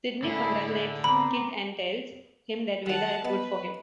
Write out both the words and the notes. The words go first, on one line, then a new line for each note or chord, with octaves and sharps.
Sydney congratulates Kid and tells him that Veda is good for him.
A2 D3 E4 G#4
B3 C4 C5 A#5 B5 D6
D#3 G3 F#5 A5
B3 B4 D#5